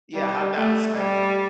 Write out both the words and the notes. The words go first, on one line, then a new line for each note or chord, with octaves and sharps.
Yeah, how'd the outside look?
G3
A3
G3